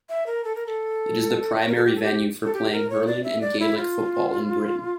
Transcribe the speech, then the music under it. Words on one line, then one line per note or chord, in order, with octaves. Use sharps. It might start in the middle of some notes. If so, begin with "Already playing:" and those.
It is the primary venue for playing hurling and Gaelic football in Britain.
E5
A#4
A4
A#4
A4
C#5
A#4
A4
G4
A4
G4
A4
G4
A#4
C#5
D5
E5
D5
E4
F4